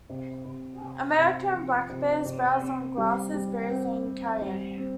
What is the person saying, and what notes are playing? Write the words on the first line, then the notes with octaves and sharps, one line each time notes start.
American black bears browse on grasses, berries, and carrion.
C3
C3
C3
C3
F3
C3
C3
C4
G3
G3
C4
C4
G3
C4